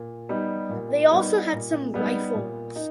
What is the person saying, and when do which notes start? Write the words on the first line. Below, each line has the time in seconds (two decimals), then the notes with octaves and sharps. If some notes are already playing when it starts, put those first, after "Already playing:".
They also had some rifles.
Already playing: A#2
0.29 G3 B3 D#4
0.69 A#2
1.11 G3 B3 D#4
1.53 A#2
1.94 G3 B3 D#4
2.35 A#2
2.76 D#4